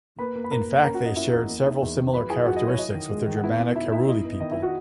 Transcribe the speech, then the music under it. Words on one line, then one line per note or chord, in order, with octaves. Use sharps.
In fact they shared several similar characteristics with the Germanic Heruli people.
A#3 B4 B5
A#3
B5
A#3 A#4 A#5
A#3
C#4 A#4 A#5
F#4 F#5
A#3 D#5
C#4 E4 E5
E2
A#3
D#4
E2
D#3
F#3 B4 B5
E4 G#4 G#5
F#3 F#4 F#5
D#5
E4
C#5
E4 D#5
D#3
G#3
D#3
F#5
B3 E4 E5
B2
D#4 E4 E5
D#4 E4 E5
E4 D#5
B3
D#3 D#5
B3 E4 E5
F#4 F#5